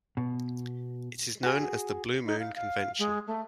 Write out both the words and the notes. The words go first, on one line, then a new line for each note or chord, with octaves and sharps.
It is known as the "Blue Moon" convention.
B2
F#4 G#4
D#4
F5
F5
G#3
A3